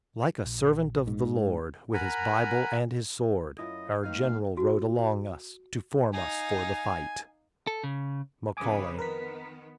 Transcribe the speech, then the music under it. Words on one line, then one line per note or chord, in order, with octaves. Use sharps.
Like a servant of the Lord, with his bible and his sword, Our general rode along us, to form us for the fight. --Macaulay.
A#1
G#2
A#4 F#5 G#5 A#5 B5
F#2 E4 F4 D#5
G2 D#3 A3 A#3 D#4 F5
F#4
D#4 F5 G#5
A4
C#3
F2 C#3 B4 G#5 D6 D#6
D#3 B3 A#4 B4 B6